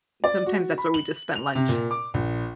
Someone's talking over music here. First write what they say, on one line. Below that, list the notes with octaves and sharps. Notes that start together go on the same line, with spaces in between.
Sometimes that's where we just spent lunch.
D5
F#4
B5
F#7
F7
C3
A#2
D6
A#1